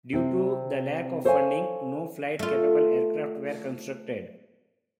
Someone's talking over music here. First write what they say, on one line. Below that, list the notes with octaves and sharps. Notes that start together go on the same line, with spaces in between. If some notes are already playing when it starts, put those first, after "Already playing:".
Due to the lack of funding, no flight-capable aircraft were constructed.
C3 C4
A4 C5 C#5 D#5 F5 G#5
A3 F4